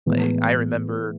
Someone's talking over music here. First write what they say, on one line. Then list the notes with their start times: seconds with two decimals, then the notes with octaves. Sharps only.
like, I remember
0.06 A2 E3 G#3 B3